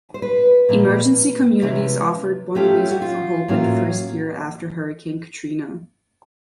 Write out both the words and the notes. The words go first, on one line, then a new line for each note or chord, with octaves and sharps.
Emergency Communities offered one reason for hope in the first year after Hurricane Katrina.
C5
B4
A#2 F3 A#3
C3 E3 G#3 C#4
F#3 A3 C#4 F4 G4
F#4
F4
A2 F#3 A#3 C#4 F4